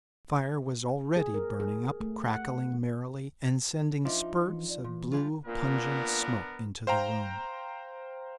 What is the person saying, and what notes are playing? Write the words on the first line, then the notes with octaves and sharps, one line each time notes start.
The fire was already burning up, crackling merrily, and sending spurts of blue, pungent smoke into the room.
G#4
A#4
G#4
A3
F#5
F3 D4 D#4 F4 E5
E3
D5
A#2 E3
G3 G#3 F4
A#2 B3 D4 A#4
C5 F5 G5 A#5